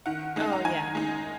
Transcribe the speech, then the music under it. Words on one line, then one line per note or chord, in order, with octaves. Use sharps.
Oh yeah.
D#3 F#5
G#3 D#4
A#5
D#3 G#5
G#3 D#4